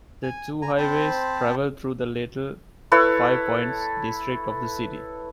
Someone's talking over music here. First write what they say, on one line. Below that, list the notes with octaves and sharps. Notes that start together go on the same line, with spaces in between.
The two highways travel through the Little Five Points district of the city.
G#5
G#5 A#5
C4 C5 A5 B5
E4 A4 B4 C#5